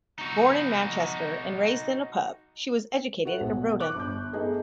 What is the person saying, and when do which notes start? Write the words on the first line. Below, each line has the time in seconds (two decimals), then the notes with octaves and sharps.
Born in Manchester and raised in a pub, she was educated at Roedean.
0.19 D#4 F#4
3.25 F#4 A4 B4 E5 F#5
3.41 B1
3.80 C#6 D6 F#6
3.95 G1 G6
4.33 A3 B3 D#4 G#4